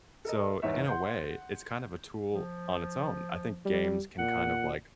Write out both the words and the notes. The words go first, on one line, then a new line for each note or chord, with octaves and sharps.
so, in a way, it's kind of a tool on its own; I think games can kind of, like
A4 A#4 D#5
E2 G#2 C#5 E5
F#5 C6 G6
F3
G3
A#2 F#5